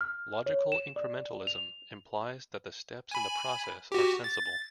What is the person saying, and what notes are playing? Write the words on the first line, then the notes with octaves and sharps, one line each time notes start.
Logical incrementalism implies that the steps in the process are sensible.
F6
C#5
E7
D5
F7
G#5 B5
F#4 G4
A6